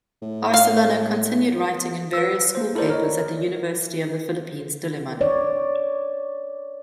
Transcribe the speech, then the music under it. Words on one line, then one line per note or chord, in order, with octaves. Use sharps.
Arcellana continued writing in various school papers at the University of the Philippines Diliman.
A2
F5
B4 E6
A#3 C5
E4 A4 A#4 C5 D5
A#4 C#5 D#5
C#5 D5